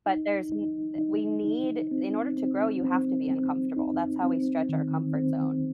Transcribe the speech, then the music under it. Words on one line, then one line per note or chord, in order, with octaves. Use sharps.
But there's n we need in order to grow, you have to be uncomfortable, that's how we stretch our comfort zone.
D#4
D#4
D#4
D#4
C4
C4
C4
C4
D#4
C4
D#3
C4